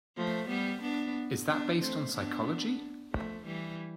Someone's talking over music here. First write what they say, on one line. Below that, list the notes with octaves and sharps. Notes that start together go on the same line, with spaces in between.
Is that based on psychology?
F3 A3
G3 B3
B3 D4
B3 D4
A3 C4
B3 D4
F3 A3
E3 G3